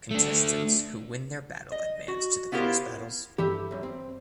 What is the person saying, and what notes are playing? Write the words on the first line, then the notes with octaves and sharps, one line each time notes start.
Contestants who win their battle advance to the Cross battles.
A3 D4
D#5
F#4
B3 E4 F4 G4 A#4 C5
G2 E3 G4 A4 E5
C2 F#2
C4